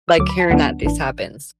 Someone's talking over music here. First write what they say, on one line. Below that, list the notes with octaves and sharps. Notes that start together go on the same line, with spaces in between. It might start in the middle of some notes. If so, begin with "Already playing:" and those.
like, hearing that this happens.
E6
D2 D3 F#3 D6
B5
A5
D2 D3 F#3 B3 D4 F#5
A1 A2 E3 D4